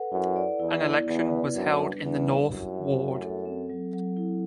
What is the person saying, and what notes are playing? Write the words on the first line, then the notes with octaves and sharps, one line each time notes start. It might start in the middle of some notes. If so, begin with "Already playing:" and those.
An election was held in the North Ward.
Already playing: A4 B4 F#5
F#2 E4
D5
E2 E4
B3
E2 B3
B4
F#2 D4
G3
E2 G3
G4
F#2 E4
E5
A3
A4
C4
F#3
F#3
E4